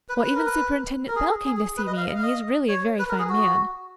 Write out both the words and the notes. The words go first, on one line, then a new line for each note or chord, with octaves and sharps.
Why, even Superintendent Bell came to see me, and he's really a very fine man.
B4
B4
A#4
B4
A#4
G#4
G#4
G#4
B4
D#5
F5
D#5
F5
D#5
C#5
B4
A#4
G#4
F#4